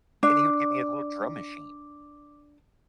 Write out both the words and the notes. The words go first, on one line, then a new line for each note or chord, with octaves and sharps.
and he would give me a little drum machine.
D4 D6